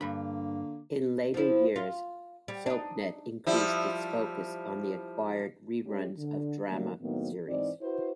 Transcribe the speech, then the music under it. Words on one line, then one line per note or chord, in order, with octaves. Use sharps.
In later years, Soapnet increased its focus on acquired reruns of drama series.
G2 D3 A#3 B5
F3 E4
F4
G3
D4 D#4
F3 G3 E4
G#3 C#4 G4
D3
D3 D#3 F#3 G3 A3 A#3
A2 D#3 F#3 A#3 B3
G#2 E3 C4 D#4 D5
E4 F#4 B4 C5